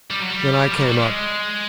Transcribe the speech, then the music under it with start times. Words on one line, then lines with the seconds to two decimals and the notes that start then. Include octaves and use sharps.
Then I came up.
0.10 G3
0.19 F#3
0.29 G3
0.68 F3
0.79 F#3
0.90 G3
1.00 G#3